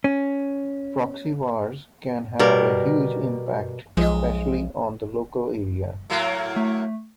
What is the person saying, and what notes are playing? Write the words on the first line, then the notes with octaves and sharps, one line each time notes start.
Proxy wars can have a huge impact, especially on the local area.
C#4
B2 G3 A#4
B1 F3 G#3 F4 D#5
A2 F#3 A#3
A3